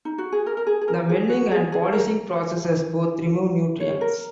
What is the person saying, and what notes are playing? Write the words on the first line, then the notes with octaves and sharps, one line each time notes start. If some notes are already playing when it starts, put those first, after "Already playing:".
The milling and polishing processes both remove nutrients.
D#4
F#4
G#4
A#4
A#4
G#4
G#4
A#4
G#4
F#4
G#4
G#4
A#4
C#5
A#4